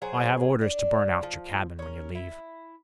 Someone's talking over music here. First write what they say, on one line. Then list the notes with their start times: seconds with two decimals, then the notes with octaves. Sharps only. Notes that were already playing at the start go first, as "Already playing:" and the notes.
I have orders to burn out your cabin when you leave.
0.02 F#3 G#4 C5
0.61 D4
1.23 F3
1.79 C#4 A#4
2.15 E4